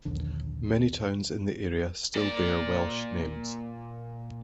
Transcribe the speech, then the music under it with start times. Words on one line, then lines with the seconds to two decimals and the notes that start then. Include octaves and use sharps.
Many towns in the area still bear Welsh names.
0.05 A#1 D#2 D3
2.16 A#2 D5